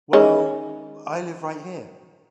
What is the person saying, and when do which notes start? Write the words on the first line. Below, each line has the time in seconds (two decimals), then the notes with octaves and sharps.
Well, I live right here.
0.13 D#3 G#3 C#4